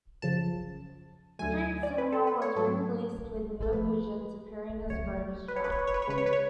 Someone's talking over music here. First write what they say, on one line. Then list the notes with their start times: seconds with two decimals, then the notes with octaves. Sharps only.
"Street Cinema" was re-released with "No Pigeons" appearing as a bonus track.
0.22 F#2 C#3 F3 A5
1.39 D2 D3 F#3 A3 G#5
1.83 D5
1.98 B4
2.12 A4
2.27 B4
2.42 C#5
2.56 G#2 F#3 A3 A4
3.62 A4
3.73 A2 F3 A3 B4
4.90 C#2 C#3 F#3 A3 C#5
5.48 B4
5.56 C#5
5.64 B4
5.72 C#5
5.79 B4
5.87 C#5
5.94 B4
6.02 C#5
6.07 C#2 C#3 G#3 B4
6.18 C#5
6.26 B4
6.33 C#5